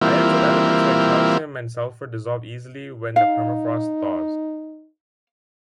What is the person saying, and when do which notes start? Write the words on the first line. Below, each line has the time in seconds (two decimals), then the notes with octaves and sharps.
Ions of elements like calcium and sulphur dissolve easily when the permafrost thaws.
0.01 E3 G3 A#3 C4 E4 F4
3.16 D#4 F5